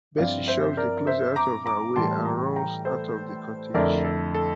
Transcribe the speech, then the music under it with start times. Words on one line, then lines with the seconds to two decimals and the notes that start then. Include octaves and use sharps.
Bessy shoves the closest out of her way and runs out of the cottage.
0.18 G2 F3 C4 E4 D5 F5
0.47 C5 E5
0.77 A#4 D5
1.07 C5 E5
1.36 A#5 D6
1.66 A#5 D6
1.96 A2 E3 G3 A5 C6
2.25 G5 A#5
2.56 G5 A#5
2.85 A4 C5
3.74 F2 D3 A3 E4 A#4 D5
4.05 A4
4.34 A4